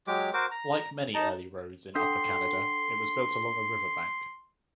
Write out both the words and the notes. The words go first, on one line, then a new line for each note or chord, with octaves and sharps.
Like many early roads in Upper Canada, it was built along a river bank.
F#3 G#3 G4 D6
F#4 A#4 C5 D6
A#5
D#4 A5 A#5
D4 A4 F#5 C6